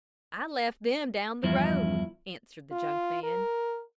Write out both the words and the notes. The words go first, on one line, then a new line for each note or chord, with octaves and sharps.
"I left them down the road," answered the junk man.
E2 G2 F3 E4
F4
A#4